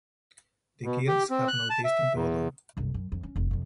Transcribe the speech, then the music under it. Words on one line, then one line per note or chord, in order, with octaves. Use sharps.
The gills have no distinct odour.
B2
G4
C4
F#6
A5
E5
E2
F#1 C2
F#2
F2
C#4
F1 D2
F2 C3